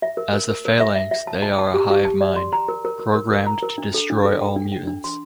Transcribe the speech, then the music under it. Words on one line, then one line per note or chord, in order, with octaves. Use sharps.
As the Phalanx they are a hive mind, programmed to destroy all mutants.
E5
A#4
A#4
A#4
A#4
E5
E5
E5
A5
A5
A5
G4
G4
A5
D5
C6
A#5
A#4
A#4
A#4
A#4
A#4
A#5
A#4
D4
A4
D4
A4
G5
D4
G5
D4
C6